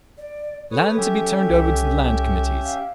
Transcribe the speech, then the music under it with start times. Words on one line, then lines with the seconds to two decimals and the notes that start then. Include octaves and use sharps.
Land to be turned over to the Land Committees.
0.18 D5
0.71 A4 B4 C#5 D#6
0.97 F#3 C#4 G4 E5
1.49 C2
2.64 F5